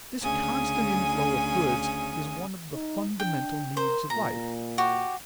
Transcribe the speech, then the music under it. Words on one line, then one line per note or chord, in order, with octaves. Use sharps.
This constant inflow of goods is one of the fundamental needs of life.
D2 C#3 G#5 D#6
D#4
D4 G5
A#4 C5
A#2 A#5
F#4 G4